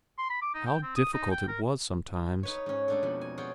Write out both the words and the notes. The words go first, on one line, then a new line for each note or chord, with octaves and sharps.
How difficult it was sometimes.
C6
B5
D6
D#4
G5
C4
D#6
D#4
G5
A#4
D#4 B4 C#5
G#2 C#4
G#3 A3 B3 D4 D#4 A4
F2 B2 B5
G#5
F4 G#4 C#5 F#5 G5